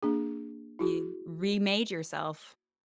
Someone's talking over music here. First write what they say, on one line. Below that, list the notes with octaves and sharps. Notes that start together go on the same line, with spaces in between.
You remade yourself.
A#3 D4 G#4
E4 F#4 G#4